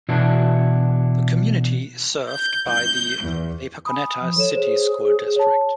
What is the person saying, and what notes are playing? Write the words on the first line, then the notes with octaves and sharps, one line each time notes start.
The community is served by the Wapakoneta City School District.
B2 E3 D4 E4 F#4
G6
G6
E2
G#5 B5 D#6
F3
A4 C#5 E7
G#4 C5 C#5
C#5 A5